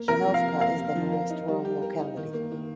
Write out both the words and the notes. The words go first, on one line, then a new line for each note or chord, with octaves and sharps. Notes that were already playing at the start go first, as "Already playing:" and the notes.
Rzhanovka is the nearest rural locality.
Already playing: A#3
C3 A#4
F3
F5
C3
A#3 F5
C3
F3
A#4
D#4
G3
G4
A#4
D#4
D#3
A#3
D#3